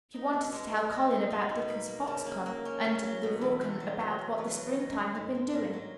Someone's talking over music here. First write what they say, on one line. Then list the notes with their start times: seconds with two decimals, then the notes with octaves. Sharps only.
She wanted to tell Colin about Dickon's fox cub and the rook and about what the springtime had been doing.
0.14 D#4 A#5
0.33 B2
0.52 G#3 G#5
0.72 G#3
0.91 B2 A#5
1.11 D#4
1.30 D#4
1.49 B2
1.68 A#3 B5
1.88 A#3
2.07 C#3
2.26 A#3
2.46 A#3
2.65 C#4
2.84 C#3
3.03 F#3
3.23 B2
3.41 E2
3.61 E2
3.80 F#3
3.99 F#3 A#5
4.19 B2
4.38 E2 B4
4.58 F#3
4.76 D#3 A#4
4.96 D#3
5.15 G#2
5.35 G#2
5.53 G#2 A#4
5.73 F#3